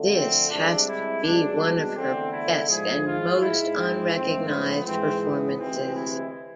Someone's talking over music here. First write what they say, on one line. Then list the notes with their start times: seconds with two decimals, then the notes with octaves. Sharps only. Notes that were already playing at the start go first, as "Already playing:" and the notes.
This has to be one of her best and most unrecognised performances.
Already playing: F2 D3 A3
0.15 C4
0.50 C2 C3 G#3 D4
0.87 E4
1.23 C2 B2 G#3 D4
1.60 D4
1.95 E2 D3 A3 C4
2.32 E4
2.67 G#2 F3 G#3 G#4
3.04 F4
3.40 G#2 G#3 E4
3.77 C4
4.13 G#2 F3 A3 C4
4.49 B3
4.84 G#2 E3 G#3 C4
5.21 B3
5.57 D2 C3 E3 G#3 C4
5.94 E4